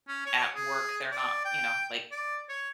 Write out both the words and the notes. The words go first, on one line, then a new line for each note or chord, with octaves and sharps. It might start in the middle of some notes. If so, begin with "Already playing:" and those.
at work, they're not, you know, like,
C#4
C#5
G#4
D5
G5
D5
C#5